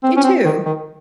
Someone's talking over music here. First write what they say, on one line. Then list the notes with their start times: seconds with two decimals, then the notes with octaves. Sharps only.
You, too.
0.03 C4
0.17 C#4
0.24 C4
0.45 D#3
0.66 D#3